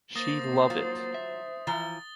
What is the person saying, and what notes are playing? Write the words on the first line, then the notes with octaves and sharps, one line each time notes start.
She love it.
A#3 C5 D#6 A6
F#3 F4
E5
E3 F3 A#5 A6 G7